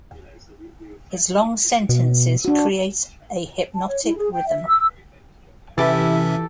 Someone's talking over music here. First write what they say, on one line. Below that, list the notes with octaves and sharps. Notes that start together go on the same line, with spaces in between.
His long sentences create a hypnotic rhythm.
B2
D4 F#4
A5
C#5
E4
G#4
G5
E5
E6
C3 E3 C#4 E4 G4 A4 E5